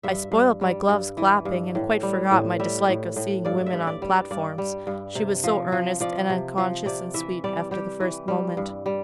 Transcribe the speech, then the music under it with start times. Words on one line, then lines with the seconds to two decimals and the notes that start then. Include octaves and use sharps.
I spoilt my gloves clapping, and quite forgot my dislike of seeing women on platforms, she was so earnest and unconscious and sweet after the first moment.'
0.03 G2 E5
0.32 G2
0.61 G3
0.89 G2
1.17 E3
1.45 G2
1.75 A2
2.03 G3
2.31 A2
2.60 G3 E5
2.88 A2
3.16 A2
3.45 G2 D5
3.66 E5
3.73 G2
3.87 D5
4.02 G3
4.10 D5
4.31 G2 D5
4.58 G3
4.87 G2
5.15 C3
5.44 F3
5.72 F3
6.00 F3 D5
6.30 C3
6.58 F3
6.86 C3 D5
7.14 E3 E5
7.44 G3 D5
7.71 G3 G4
8.00 E3
8.28 G3
8.57 G2
8.86 G3